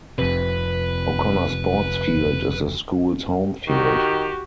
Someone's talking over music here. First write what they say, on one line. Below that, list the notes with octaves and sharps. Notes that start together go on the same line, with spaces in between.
O'Connor Sports Field is the school's home field.
F1 F2 C3 B4
D#3 F#4 G4